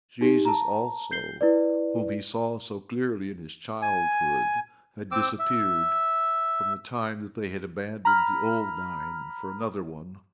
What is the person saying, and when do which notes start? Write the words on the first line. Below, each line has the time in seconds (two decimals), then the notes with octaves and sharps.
Jesus also, Whom he saw so clearly in his childhood, had disappeared from the time that they had abandoned the old mine for another one.
0.21 D#4 G4
0.45 A5 A#5
1.11 G6 C7 G7
1.41 E4 B4 D5
3.82 G#5
5.12 C4 D6 E6
5.39 E5
8.05 A#5 B5 F6